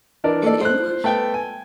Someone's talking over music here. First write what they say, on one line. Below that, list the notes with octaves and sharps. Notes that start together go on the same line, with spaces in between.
in English?
E3 D4 A#4 D5
A4 D5
C5 F#6
A3 B3 G5
G#5